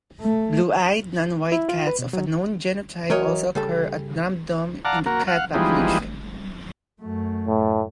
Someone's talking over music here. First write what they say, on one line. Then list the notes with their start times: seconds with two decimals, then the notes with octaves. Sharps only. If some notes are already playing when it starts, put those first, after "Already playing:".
Blue-eyed non-white cats of unknown genotype also occur at random in the cat population.
0.21 A3
1.52 E4
1.69 F4
1.87 B4
1.99 B2
2.13 F#3
3.10 E3 F#3 A#4 C#5 D#5
3.55 C#3 G3 A4
4.85 D5 F5 F#5 A5 A#5
5.06 A#3 F#4 A#4
5.27 F5 F#5
5.54 E3 F3 G3 G#3 B3 D#4
7.01 F#2 A3
7.48 A2